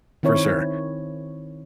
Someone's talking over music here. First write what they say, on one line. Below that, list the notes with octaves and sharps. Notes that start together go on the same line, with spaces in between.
for sure,
D#3 C4 E4 C#5